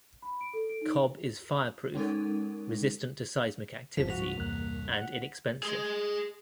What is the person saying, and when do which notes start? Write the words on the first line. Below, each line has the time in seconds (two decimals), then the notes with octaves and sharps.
Cob is fireproof, resistant to seismic activity, and inexpensive.
0.22 B5
0.41 D7
0.53 A4
0.69 D7
0.81 D#4
1.94 G#3 C#4 D#4 A4 A#4
3.97 G#1 F2 F3 B6
4.10 C2 G2 F#4 F7
4.38 E2 A#3 F#6
4.92 F#5
5.63 G#4 C6